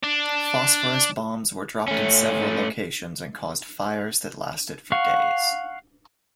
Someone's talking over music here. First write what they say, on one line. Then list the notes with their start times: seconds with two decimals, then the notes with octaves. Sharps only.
Phosphorus bombs were dropped in several locations and caused fires that lasted for days.
0.03 D4
1.88 A3 C#4
4.92 F5 F#5 C#6